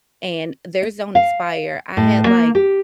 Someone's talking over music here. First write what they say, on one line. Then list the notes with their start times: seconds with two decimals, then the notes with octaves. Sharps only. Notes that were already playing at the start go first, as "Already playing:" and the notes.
and theirs don't expire. I had, like
1.15 F5
1.97 A2
2.26 A#3
2.55 G4